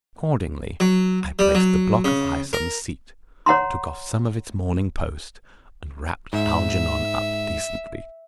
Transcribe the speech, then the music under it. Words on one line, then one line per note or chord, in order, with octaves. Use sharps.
Accordingly, I placed the block of ice on the seat, took off some of its "Morning Post," and wrapped Algernon up decently.
F#3
G3
F#3
C#3
A#4
C#5 F#5 A#5 C6
G#2 E5